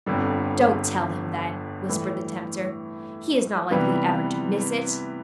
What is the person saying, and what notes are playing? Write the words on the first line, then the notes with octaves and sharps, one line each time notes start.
"Don't tell him, then," whispered the tempter, "he is not likely ever to miss it."
G1 F2 D3 G3
A2 E3 G3
C3 E3 G3 B3